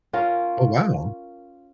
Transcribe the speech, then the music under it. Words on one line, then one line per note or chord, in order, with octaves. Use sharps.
Oh, wow.
C#4 F4 A#4